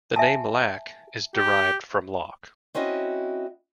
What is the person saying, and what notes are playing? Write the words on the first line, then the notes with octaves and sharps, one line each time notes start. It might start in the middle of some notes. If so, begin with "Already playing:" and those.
The name 'Lack' is derived from 'Lock'.
E5 G#5 A5
G4
C4 C#4 E4 F#4 D#5